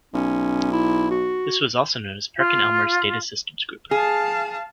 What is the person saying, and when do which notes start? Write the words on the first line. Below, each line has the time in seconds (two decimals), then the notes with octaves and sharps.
This was also known as Perkin-Elmer's Data Systems Group.
0.14 B1 C#4
0.72 E4
1.11 F#4
2.37 F4
3.91 G#4 F5 A5